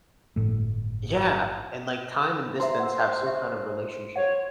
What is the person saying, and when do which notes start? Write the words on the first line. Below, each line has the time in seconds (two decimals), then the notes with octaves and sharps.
Yeah, and, like, time and distance have some kind of relationship.
0.36 G1 A2 A3
2.60 C5 E5 A#5 C6
2.80 F#5 E6
3.23 G4 E5
4.16 C#5 F#5